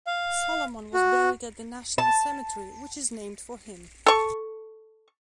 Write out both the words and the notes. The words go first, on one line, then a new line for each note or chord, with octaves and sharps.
Solomon was buried at the national cemetery which is named for him.
F5
F#4
A5
A4 C#6